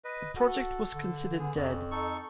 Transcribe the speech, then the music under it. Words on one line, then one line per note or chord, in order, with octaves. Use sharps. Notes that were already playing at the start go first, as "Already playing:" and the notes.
The project was considered dead.
B4 D#5
F#4 A4
D3
B3 G#4
F2 C#3
D#4 A4 C#6